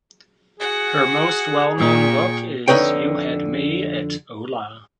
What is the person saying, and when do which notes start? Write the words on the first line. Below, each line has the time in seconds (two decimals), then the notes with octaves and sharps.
Her most well known book is "You Had Me at Hola".
0.60 F#4 G#4 F#5
1.78 A#2 G5 C#6
2.68 F2 D3 D#4 B4 C#5 G5